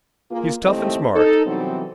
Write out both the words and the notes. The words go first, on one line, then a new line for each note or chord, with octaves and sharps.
He's tough and smart.
A#3 F4 G#4
D#2 A3 C4 E4 G4 D#5
D#4 A4
C3 E3 F#3 G3 B3 C4